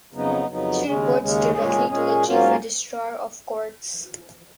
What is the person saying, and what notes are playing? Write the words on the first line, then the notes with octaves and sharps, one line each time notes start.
She reports directly to the "Chief Registrar of Courts".
F2 C#3 F#3 B3 D#4
F2 C#3 F#3 B3 D#4
D#2 C#3 G#3 C#4
D#2 C#3 G#3 C#4
A#2 G#3 C#4 G#4
A#2 G#3 C#4 G#4
G#2 F#3 A#3 C#4 F4